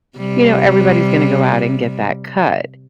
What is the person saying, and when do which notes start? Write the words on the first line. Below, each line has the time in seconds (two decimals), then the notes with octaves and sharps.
everybody's gonna go out and get that cut.
0.18 C3 G3